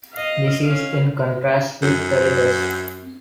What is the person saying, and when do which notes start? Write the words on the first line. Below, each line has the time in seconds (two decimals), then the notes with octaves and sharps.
This is in contrast with teletext.
0.13 D#5 F5
0.64 C#4 F5
1.82 F#2